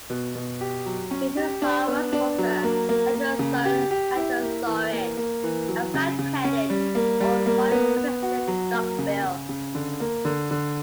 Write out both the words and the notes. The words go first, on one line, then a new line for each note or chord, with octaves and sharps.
"Kritosaurus" was a hadrosaurine hadrosaurid, a flat-headed or solid-crested duckbill.
B2
B2
G4
F#3
C#4
G4
D4
B3
D4
F#3
A#3
A#3
A#3
C#3
G4
G4
E4
A#3
E3
A#3
A#3
E3
F#3
C#3
C#3
C#4
G3
A#3
G3
A#3
B3
B3
F#4
F#3
A#3
C#3
C#3
C#3
D3
A#3
D3
D3